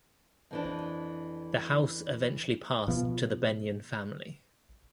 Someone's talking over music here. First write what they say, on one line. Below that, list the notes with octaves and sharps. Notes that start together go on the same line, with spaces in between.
The house eventually passed to the Benyon family.
F2 E3 D4
B2 F3